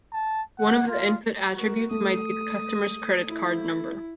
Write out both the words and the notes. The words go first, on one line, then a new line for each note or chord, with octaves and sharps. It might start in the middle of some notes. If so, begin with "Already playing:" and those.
One of the input attributes might be the customer's credit card number.
A5
F#5
F4
F#4 A#4
A3 D#6
E4